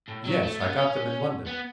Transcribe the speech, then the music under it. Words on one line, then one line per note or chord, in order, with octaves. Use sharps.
"Yes, I got them in London."
A2
F#3
A3
B3
C#4
B3